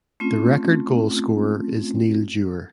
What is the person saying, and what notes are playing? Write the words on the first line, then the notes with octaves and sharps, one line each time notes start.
The record goalscorer is Neil Dewar.
A3 C4 C#4 F4